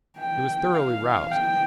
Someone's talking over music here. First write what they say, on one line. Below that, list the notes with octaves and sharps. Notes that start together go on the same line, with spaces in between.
He was thoroughly roused.
G5
F5
G5